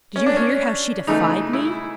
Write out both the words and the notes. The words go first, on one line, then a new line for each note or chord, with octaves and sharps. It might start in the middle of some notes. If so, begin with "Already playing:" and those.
Did you hear how she defied me?
C#4
D4
C#4
C#3 E3 A3 D#4
E4